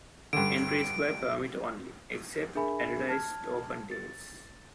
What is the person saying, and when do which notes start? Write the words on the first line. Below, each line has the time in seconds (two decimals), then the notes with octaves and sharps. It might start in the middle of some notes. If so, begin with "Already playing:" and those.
Entry is by permit only, except on advertised open days.
0.33 G2 D3 D7
2.55 D4 G#4 A#4 E5 G#5 B5
3.09 A5 F6 G#6
3.91 A6